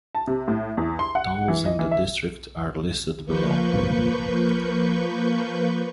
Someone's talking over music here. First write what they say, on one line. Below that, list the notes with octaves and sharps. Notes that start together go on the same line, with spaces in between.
Towns in the district are listed below.
A5
C3
A2
E2
C6
F#5
E3
D#5
E3
E5
F3 A#3 B4 C#6 G6